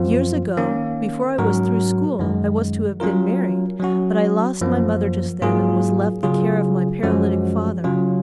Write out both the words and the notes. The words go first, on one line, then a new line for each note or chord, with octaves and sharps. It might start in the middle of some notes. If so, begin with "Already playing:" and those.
Years ago, before I was through school, I was to have been married; but I lost my mother just then and was left the care of my paralytic father.
Already playing: F#2 F3 C4 F4
D#3 A#3 C#4
G#2 F#3 C#4 F#4 A#4
F#2 D#3 G#3
F#3 C#4 F4 A#4
F#3 C#4 F#4
F#2 F3 A#3
G#2 F#3 A#3 F4 G#4
C#3 F#3 C#4 F4 G#4
F#2 F3 G#3 C#4 F#4
C#3 F#3 C#4 F4